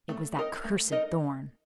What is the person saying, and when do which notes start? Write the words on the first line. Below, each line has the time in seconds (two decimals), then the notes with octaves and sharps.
"It was that cursed Thorn."
0.09 A3
0.37 D#4 A#4 D#5
0.64 A3
0.92 D#4 A#4 D#5